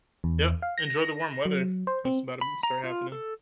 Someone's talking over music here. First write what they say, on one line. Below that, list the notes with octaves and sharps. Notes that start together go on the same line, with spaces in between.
yep. Enjoy the warm weather that's about to b start happening.
E2
F5
A#6
F#3
C5
C4
B5
A#5
F4
A4